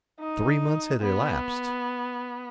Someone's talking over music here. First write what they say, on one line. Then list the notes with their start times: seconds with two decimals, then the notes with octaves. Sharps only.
Three months had elapsed.
0.20 D#4
1.01 B3